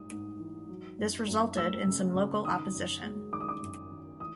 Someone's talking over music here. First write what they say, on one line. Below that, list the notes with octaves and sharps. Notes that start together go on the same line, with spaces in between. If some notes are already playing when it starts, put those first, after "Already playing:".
This resulted in some local opposition.
Already playing: G#2 G3 D#6
G#2
E3
F#3
F#2
F#2
A3 E6
C#3
C#3
D#3 D#6
F#2
G#3
D#3 D6
D#6
D6
F#2
D#3
E3 D#6